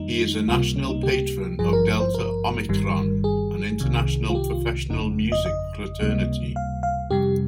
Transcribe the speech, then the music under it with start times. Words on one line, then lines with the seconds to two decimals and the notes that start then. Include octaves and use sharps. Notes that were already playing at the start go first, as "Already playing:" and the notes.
He is a National Patron of Delta Omicron, an international professional music fraternity.
Already playing: F2 D#3 G3 A#3 D#4
0.48 C#2 C3 G3 A#3 F4
0.76 C#4
0.89 D#4
1.03 G4
1.59 G#1 G2 F3 G#4
1.73 A#4
2.00 C5
2.14 A#4
2.69 G1 G2 D#3 G3
3.24 G#4
3.80 C2 C3 D#3
4.30 F4
4.35 G4
4.53 F4
4.90 G1 F2 C#3 D#4
5.32 D#5
5.46 D#5
6.00 C#2 C3 G3 A#3
6.56 F5
6.83 F5
7.10 F2 C3 G3 G4